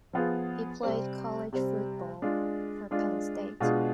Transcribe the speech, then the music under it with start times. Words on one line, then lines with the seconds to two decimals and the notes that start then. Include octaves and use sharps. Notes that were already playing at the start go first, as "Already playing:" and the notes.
He played college football for Penn State.
0.13 F3 B3 F4 G#4
0.83 C3 G3 C4
1.53 C3 G3 C4
2.22 G#3 D4 F4
2.91 G#3 D4 F4
3.60 B2 G#3 D4 F4 G#4